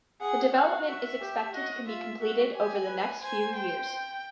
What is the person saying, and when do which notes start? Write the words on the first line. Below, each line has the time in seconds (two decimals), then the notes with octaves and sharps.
The development is expected to be completed over the next few years.
0.20 G#4 F#5
0.53 F#4 F5
0.87 E5
1.21 G4
1.54 F#4 D#5
1.87 F4 E5
2.20 F#4 E5
2.54 G4 G#5
2.87 B4
3.21 C5 G#5
3.55 G5